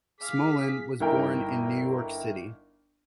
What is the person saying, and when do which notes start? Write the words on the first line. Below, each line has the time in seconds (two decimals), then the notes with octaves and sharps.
Smolin was born in New York City.
0.20 E3 G#4 F5 D6 B6
1.00 G1 D#4 E4 A#4 G5